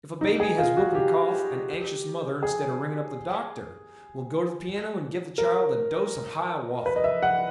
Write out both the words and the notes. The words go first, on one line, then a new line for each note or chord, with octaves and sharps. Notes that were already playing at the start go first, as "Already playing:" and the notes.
If a baby has whooping-cough, an anxious mother, instead of ringing up the Doctor, will go to the piano and give the child a dose of Hiawatha.
D#4
G#4
F4
F#4
G4
G#4
A#4
B4
D#5
E5
F#5